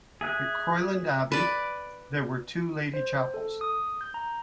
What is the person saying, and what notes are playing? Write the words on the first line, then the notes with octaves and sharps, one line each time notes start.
At Croyland Abbey there were two lady chapels.
G#4 E5 F#6
B4 D5
C5
A4
D#6
G6
A#5